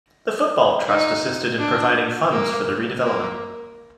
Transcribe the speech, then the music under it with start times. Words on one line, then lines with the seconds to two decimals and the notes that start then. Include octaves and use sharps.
The Football Trust assisted in providing funds for the redevelopment.
0.88 D#4
1.59 D4
2.32 A#3
3.03 A#3